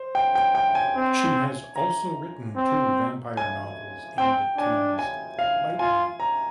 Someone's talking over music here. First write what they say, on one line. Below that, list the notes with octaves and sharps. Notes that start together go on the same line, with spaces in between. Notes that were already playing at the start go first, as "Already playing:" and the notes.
She has also written two vampire novels aimed at teens, Bite me!
Already playing: C5
G5
G5
G5
G#5
C4
A#5
C4
G#5
C4 G5
D4 G#5
G#5
F5
F4 G#5
A#5